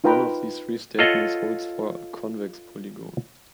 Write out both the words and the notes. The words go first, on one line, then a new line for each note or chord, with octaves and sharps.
None of these three statements holds for a convex polygon.
D#4 F4 B4 G5 A#5 B5
F4 A4 C#5 D#5 F5 F#5